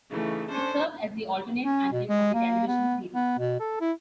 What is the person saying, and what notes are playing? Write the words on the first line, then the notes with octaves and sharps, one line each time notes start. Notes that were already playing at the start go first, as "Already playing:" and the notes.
It served as the alternate anthem of the television series.
C#3 E3 A3 D#4
C#4 D4 A4 C5
C#4
B2
G#3
A#3
B3
B3
B2
A4
E4